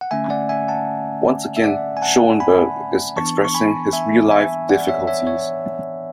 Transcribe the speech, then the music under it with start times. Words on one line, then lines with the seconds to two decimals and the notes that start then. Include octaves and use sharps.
Once again, Schoenberg is expressing his real life difficulties.
0.01 F#5
0.11 D3 A3 C#4 E5 G#5
0.30 D5 F#5
0.49 E5 G#5
0.68 F#5 A5
1.57 E5
1.64 D5 F#5
1.97 G#5
2.02 F#5 A5
2.40 G#5 B5
3.16 E3 B3 D4 A5 C#6
3.45 C#6
3.54 G#5 B5
3.93 E5 G#5
4.31 E5 G#5
4.69 D5 F#5
4.88 C#5 E5
5.07 C#5 E5
5.27 C#5